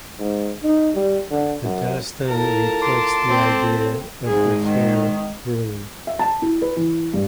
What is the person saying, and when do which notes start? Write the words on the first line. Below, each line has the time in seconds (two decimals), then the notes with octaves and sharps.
The dastan reflects the idea of the fair ruler.
0.19 G#2
0.63 D#4
0.95 G3
1.31 D3
1.64 F#2
2.28 A2 F4 A#4 A5
2.82 C6 D6
3.28 A3 C4 G4
4.26 G#1 G#2 G#4
4.65 D#3
6.07 E5
6.19 A5
6.42 E4
6.62 B4
6.76 E3
7.14 G2